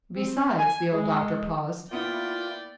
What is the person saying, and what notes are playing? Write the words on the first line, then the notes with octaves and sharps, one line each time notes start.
"Besides," the old doctor paused.
C4
G#5
G#3
A#3 B3 E4 F4 D5 G5